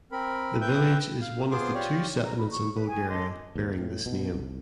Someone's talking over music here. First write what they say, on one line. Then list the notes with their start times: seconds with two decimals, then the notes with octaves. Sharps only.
The village is one of the two settlements in Bulgaria bearing this name.
0.12 C4 A#4 B5
0.61 B4 E5 G5 G6
1.21 F5
1.51 B3 F4 G#4 C5 C6 D6
1.74 F4 G4 C#5 D5
2.21 A#4
2.37 B5
2.49 C#6
2.74 B4
2.88 G#4 G5 G#5
3.08 A4 D#5 C6 D6
3.55 D#2
3.78 A2
4.06 B2
4.34 C2